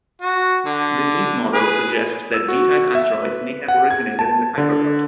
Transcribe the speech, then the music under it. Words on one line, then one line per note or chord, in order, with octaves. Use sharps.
The Nice model suggests that D-type asteroids may have originated in the Kuiper belt.
F#4
D3
G#4 B4
E6
F#4
E5
B4
F#5
G#6
A5
D3